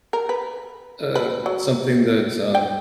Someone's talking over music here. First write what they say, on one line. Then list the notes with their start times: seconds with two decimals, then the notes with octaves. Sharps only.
uh, something that's, um
0.13 A#4
0.29 B4
1.15 B4
1.46 F#3
2.55 G5